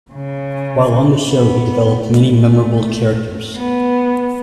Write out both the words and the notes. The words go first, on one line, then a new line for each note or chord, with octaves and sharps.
While on the show, he developed many memorable characters.
C#3
B3
A3
B3